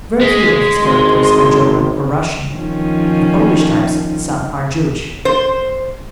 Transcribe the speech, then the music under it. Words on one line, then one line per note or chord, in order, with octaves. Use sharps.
Very few of his characters are German or Russian; of Polish types some are Jewish.
G#3 B6
G#1 C6
D#3 F3 C#4
C5